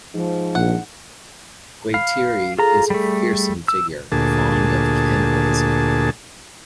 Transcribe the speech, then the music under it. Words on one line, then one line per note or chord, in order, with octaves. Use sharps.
Whaitiri is a fearsome figure, fond of cannibalism.
G#2 F3
A#1 F#5
F5 B5
F4 G#4 A4 A#5
G3 A3
E6
D2 A#2 G#4 A5